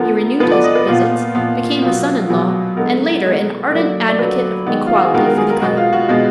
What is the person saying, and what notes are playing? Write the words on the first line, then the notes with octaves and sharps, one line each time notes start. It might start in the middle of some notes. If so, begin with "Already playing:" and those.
He renewed his visits, became a son-in-law, and, later, an ardent advocate of equality for the colored people.
Already playing: D3 F3 B3 A#4
D3 F3 B3 B4
D5
D#5
B4
A#2 F3 B3 F4
A#2 F3 B3 F4
B2 F#3 B3 F4
B2 F#3 B3 G#4
D3 G#3 B3 A#4
D3 G#3 B3
D3 F#3 A#3 D5
D5
D3 F#3 A#3 B4
D#3 G#3 B3
F4
F#4
G#4
D#3 G#3 B3 A#4
A#4
G#4
A#4
B2 G#3 B3 F#4
F4
F#4
B2 G#3 B3 F#4